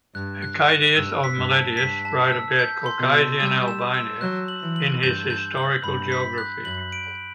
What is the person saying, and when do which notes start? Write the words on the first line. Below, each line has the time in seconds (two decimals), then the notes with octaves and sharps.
Hecataeus of Miletus wrote about Caucasian Albania in his "Historical Geography".
0.15 G2 F#6
0.42 F#6
0.69 F#6
0.96 G2 E6
1.24 B6
1.38 G2
1.51 A5
1.77 G2 B6
2.05 A5
2.32 E6
2.59 G6
2.86 C6
3.00 B2
3.14 E6
3.40 G3 E6
3.68 E7
3.94 E6
4.21 F#3 F#6
4.48 F#7
4.62 E3
4.76 F#7
5.03 G2 G6
5.30 G6
5.57 F#7
5.84 G2 B5
6.12 B6
6.38 F#6
6.65 F#2 F#7
6.92 D7